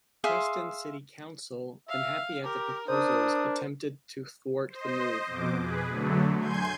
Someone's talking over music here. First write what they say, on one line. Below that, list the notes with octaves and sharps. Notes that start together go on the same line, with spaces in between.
Preston City Council, unhappy at the proposals, attempted to thwart the move.
G#4 E5 F5 C6
E5 F5
G4 A#4
D4 A#4 C5 D#6
C5 D#5
F2 B2 D6
G#4 B4
D3 F#3 A3
G#5 C6 G6 G#6